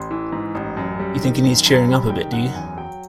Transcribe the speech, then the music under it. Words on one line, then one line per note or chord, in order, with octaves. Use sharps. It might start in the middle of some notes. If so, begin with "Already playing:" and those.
You think he needs cheering up a bit, do you?
Already playing: A1 C6
E3
G#2
A1
F#2
G3
D#3
F#2
F#2 A#5
G3 B5
D#3 G5
F#2 F#5
E2 G#5
F#3 G5